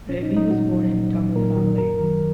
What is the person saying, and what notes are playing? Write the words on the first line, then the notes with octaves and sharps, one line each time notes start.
Ravi was born in Tamil Family.
A#2 C#4
D#4
F#3
D#4
A#2 F#4
F#3
A#2
F#3
A#2 A#4
F#3
F#2 A#4
D#3 F#3